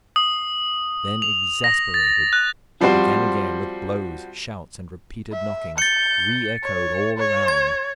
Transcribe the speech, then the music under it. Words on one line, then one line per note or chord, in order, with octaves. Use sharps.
Then, exasperated, he began again with blows, shouts, and repeated knockings, re-echoed all around.
D#6
F7
A#6
A6
F#6
F3 G3 C4 F#4 C5
E5
G6 A6 C#7
C#5
C#5
G#6